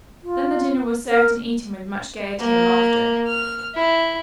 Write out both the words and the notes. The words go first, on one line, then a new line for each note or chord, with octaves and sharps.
Then the dinner was served and eaten with much gayety and laughter.
F4
A#4
A#3
F6
E4